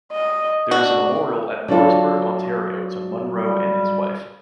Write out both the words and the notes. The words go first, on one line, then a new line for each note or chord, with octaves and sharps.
There is a memorial at Morrisburg, Ontario to Munro and his wife.
D#5
D4 F#4
F#3 D4 F4 A4
G3